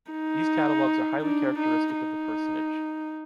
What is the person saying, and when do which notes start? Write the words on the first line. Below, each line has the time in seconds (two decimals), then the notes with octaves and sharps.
These catalogues are highly characteristic of the personage.
0.12 D#4
1.22 D4
1.59 D#4
1.96 D#4